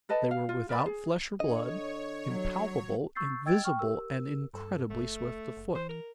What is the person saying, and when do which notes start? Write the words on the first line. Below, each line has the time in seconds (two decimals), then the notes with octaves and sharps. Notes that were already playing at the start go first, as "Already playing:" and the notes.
They were without flesh or blood, impalpable, invisible, and incredibly swift of foot.
0.09 A4 B4 D#5 A5
0.31 F5
0.49 F4
0.69 A#4 B4 D5 B5
0.86 G#4
1.40 D3 C#5 D#5
2.27 F#3
3.15 C#6 E6 G6 A6 C7
3.46 D#5 G5 E6 G#6 A6 D7
3.64 G5 C#6 F6
3.79 G4 A#4 E6
4.54 G2 A4
4.90 F#1 A3
5.57 F#1
5.75 E3 C5
5.89 A#4